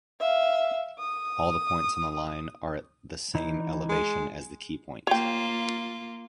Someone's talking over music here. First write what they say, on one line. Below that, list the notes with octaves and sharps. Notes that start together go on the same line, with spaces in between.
All the points on the line are at the same elevation as the keypoint.
E5 F5
D#6
E3 D#4
G#3
A#3 F4 C#5 G5